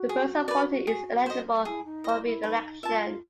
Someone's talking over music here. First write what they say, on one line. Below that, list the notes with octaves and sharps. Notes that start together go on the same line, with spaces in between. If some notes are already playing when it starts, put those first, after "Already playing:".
The person appointed is eligible for re-election.
Already playing: F#4
G#4
B4 D5
G#4
C5 D#5
E4 G#4
D#4
E4 C5 D#5
E4
D#4 B4
F4 E5 A5